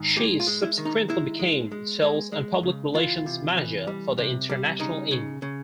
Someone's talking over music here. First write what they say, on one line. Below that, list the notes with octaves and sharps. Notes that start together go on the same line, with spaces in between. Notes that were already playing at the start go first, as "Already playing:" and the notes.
She subsequently became sales and public relations manager for the International Inn.
Already playing: G#2 D#3
G#3 G4
F4
G#3
E4
D#3
D#4
G#3 E4
G#3
G#3
G#3
G#3
C#3
E3 F4
C3
E3
G3
C3
G3
C#3 D#4
C#3
C#3